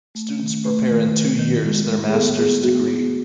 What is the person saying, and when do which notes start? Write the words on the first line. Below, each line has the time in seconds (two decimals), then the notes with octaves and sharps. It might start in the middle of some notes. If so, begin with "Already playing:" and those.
Students prepare in two years their Master's degree.
0.15 A3
0.40 D#3
0.65 A3 B4
0.90 D#3
1.14 D#3
1.39 D#3
1.64 G#3
1.89 G#3
2.10 G#4
2.13 B3 A4
2.38 B3 G#4
2.63 B3 F#4
2.88 B3